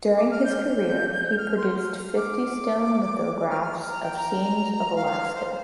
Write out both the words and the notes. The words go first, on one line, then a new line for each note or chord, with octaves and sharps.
During his career, he produced fifty stone lithographs of scenes of Alaska.
D6
F6
G6
F6
C6
F6
F6
D6
D6
F6
F6
A#5
G5
A#5
F5
C5